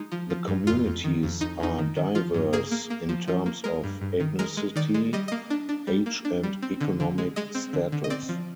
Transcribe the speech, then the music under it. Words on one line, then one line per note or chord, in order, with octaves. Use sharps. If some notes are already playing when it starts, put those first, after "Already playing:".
The communities are diverse in terms of ethnicity, age and economic status.
Already playing: G#3 D#4
F3
F3
G2
F2 F4
F2
D#3
F2
F2 D#4
F2 D#4
D#3
D#3
F3 F4
G2
A#3 G#4
A#3
A#3
F3
F3
A#3
G#3 A#4
G2
G2
D#3
G#3 A#4
G#3
D#3 D5
G#3
G3 D#5
A#3 D#5
D4
D4
G3
A#3
D4
G3
C4
D3
D3
G#3
G#3 D#5
C4
D3
D3
D#5
C4 D5
F3